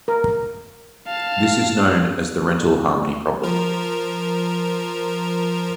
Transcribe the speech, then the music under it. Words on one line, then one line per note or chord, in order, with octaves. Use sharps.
This is known as the Rental Harmony problem.
A#4
F5 A5
F3 A#4